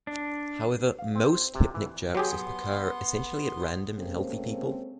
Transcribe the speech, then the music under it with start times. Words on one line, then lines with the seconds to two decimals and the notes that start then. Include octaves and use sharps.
However, most hypnic jerks occur essentially at random in healthy people.
0.07 D4
0.98 F5
1.15 C4
1.33 C5
1.55 C3
1.74 E3
2.15 F#3 B3 G4 G#4 C6
3.98 C3 G#3 A#3 C4 C#4 A4